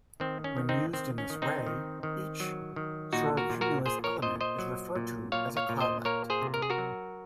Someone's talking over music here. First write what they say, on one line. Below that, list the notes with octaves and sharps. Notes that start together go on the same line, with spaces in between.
When used in this way, each cirrocumulus element is referred to as a "cloudlet".
D#3 C4
C#4
D#3
C4 D#4
D#3 C4
C#4
D#3
C4 D#4
D#3
D#3
F#3
D#3
A#2 D#4 F#4
F#4 A#4
A#2
F#4 A#4
A#2 G#4 C5
A#4 C#5
A#2 C5 D#5
C5 D#5
F#3
A#2
A#2 C#5 F5
C#5 F5
A#2
C5 D#5
A#3 A#4 C#5
G#4 C5
C3
A#4
G#4
F#4 A#4
F#3